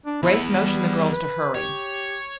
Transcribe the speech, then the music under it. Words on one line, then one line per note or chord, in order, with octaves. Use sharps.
Grace motioned the girls to hurry.
D4
E2 B3 E4
G3
B4
G4 C#5